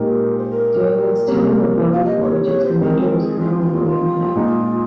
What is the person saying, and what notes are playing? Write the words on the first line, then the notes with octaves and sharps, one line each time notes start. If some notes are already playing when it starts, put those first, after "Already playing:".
During its time at Valley Forge its commander was Colonel William Heth.
Already playing: A#2 G#3 D#4 G4 A#4
C5
A#4
C3 G3 A#3 C#4
F5
D#5
C#5
C#5
C5
D#3 G#3 C4 A#4
A#4
G#4
F4
F4
A#2 G#3 D#4 G#4